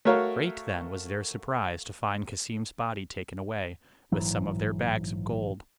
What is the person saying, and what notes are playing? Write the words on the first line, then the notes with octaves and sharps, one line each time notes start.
Great, then, was their surprise to find Cassim's body taken away, with some of their bags of gold.
A3 F#4 A#4 C#5 F5
A#1 G#2 E3 F#3